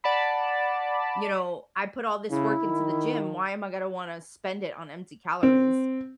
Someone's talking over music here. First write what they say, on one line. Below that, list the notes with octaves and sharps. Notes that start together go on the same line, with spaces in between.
you know, "I put all this work into the gym, why am I gonna wanna spend it on empty calories?"
D5 F#5 A5 B5
C#3 E4
D#3
C4